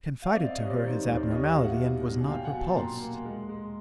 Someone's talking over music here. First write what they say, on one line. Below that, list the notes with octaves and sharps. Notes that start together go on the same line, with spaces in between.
He confided to her his abnormality, and was not repulsed.
F5
C4 D5 E5
D#5 F5
G3 C#5 D#5
C5 D5
D#3 C5
C#5
D#2
C5 D5
G3 C#5 D#5
D#5 F5
B2
E5 F#5
B2
B2
G#5
A#2 F5 G5
F#5 G#5
F#3
G5 A5
A#2 A#5 C6
A#3
G#3
G#3